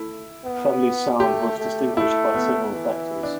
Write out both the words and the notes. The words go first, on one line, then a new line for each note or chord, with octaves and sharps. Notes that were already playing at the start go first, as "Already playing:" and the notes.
Family's sound was distinguished by several factors.
Already playing: A3 E4
B3
A3 G4
A3
A3 E4
B3
E3
D4